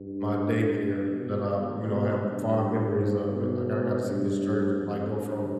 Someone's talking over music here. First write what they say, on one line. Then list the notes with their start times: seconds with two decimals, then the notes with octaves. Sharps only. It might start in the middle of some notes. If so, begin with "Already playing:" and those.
my daycare that I, you know, have fond memories of, and, like, I got to see this church, like, go from
Already playing: G2
1.13 B2
1.49 B2
1.85 B2
2.21 G2
2.94 G#2
3.31 B2
4.03 G2
4.76 F2
5.12 G2